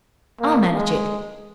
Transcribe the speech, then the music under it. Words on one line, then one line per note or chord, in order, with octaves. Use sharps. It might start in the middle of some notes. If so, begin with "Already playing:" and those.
I'll manage it.
A#3
G#3